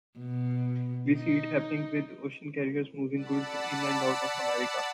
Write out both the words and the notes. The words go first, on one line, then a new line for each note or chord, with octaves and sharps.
We see it happening with ocean carriers moving goods in and out of America.
B2
D#4
D5 F#5 A5 B5 E6